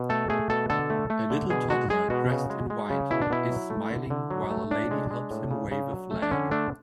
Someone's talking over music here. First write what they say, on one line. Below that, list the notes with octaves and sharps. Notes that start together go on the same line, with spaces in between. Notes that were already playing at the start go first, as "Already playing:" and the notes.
A little toddler dressed in white is smiling while a lady helps him wave a flag.
Already playing: B2
A3 A4
A3 G#4
B2 A4
D3 A4
A3
A3
D3
B2 G#4
G#3 F#4
G#3 G#4
B2 F#4
C#3
G#3
G#3
C#3
B2 E4
D4
B2 E4
F#3
A3
D3
D3
F#3
A3
A2 D4
G#3
G#3
A2
C#3
C#3
F#3
A3
D4
D3 C#4
A3 D4